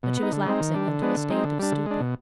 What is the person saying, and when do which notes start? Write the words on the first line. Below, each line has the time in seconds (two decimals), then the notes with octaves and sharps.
But she was lapsing into a state of stupor.
0.03 B2
0.17 B3
0.23 D#4
0.32 D3
0.46 G#3 C4 D#4
0.60 D#3
0.74 G3 D4
0.88 D3
1.02 G#3 B3 D4
1.17 D3
1.30 G#3 C4 D#4
1.44 D3
1.59 G3 D4
1.72 D3
1.86 G#3 D4
2.00 B2